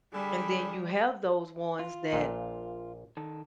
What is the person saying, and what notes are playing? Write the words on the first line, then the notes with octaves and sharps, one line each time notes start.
and then you have those ones that
D3 G3 G#4 B5
F4
A#1 A#2
D#3 A4